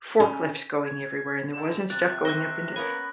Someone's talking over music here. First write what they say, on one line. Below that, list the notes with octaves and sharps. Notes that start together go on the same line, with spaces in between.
forklifts going everywhere, and there wasn't stuff going up into
C#3
G#6
A#1 D3 E7
C3 D5 F#6 A6
C5 D#5 E5 C#6 A#6
A#3 B3 C#4 A#4 G#5 B5